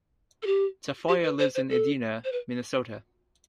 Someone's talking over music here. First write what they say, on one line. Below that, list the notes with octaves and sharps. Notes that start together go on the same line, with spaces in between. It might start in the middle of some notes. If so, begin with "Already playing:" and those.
Tafoya lives in Edina, Minnesota.
A4
G4
G4
B4
C5
C5
A4
C5
B4